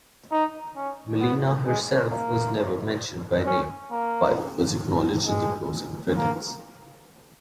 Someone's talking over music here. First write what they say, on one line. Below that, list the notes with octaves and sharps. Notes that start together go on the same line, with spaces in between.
Mileena herself was never mentioned by name but was acknowledged in the closing credits.
D#4
C#4
B3
G#3
A#3
C#4
A#3
G#3
A#3